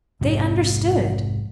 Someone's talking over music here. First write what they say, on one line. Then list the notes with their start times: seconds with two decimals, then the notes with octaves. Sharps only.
They understood.
0.21 A#1 F2 G#2 C3